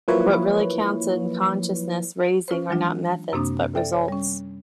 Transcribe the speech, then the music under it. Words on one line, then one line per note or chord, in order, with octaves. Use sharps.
What really counts in consciousness-raising are not methods, but results.
F3 F#3 A#3 E4 B4 C#5
C#4 F4 B4 C5
E3 F#3 G#3 D4 F4
F#2 C3 A#3 C4 D4 D#6
A4 D5 E5 G5
C#5
G3 C#4